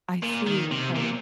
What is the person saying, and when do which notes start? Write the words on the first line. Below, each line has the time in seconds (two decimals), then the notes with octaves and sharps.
I see, okay.
0.23 A#2
0.47 D#3
0.72 C3
0.96 A#2